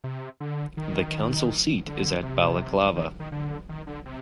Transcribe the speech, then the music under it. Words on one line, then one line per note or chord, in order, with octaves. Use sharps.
The council seat is at Balaklava.
C3
D3
D#3
D3
C3
D#3
D#3
D3
D#3
D3
C3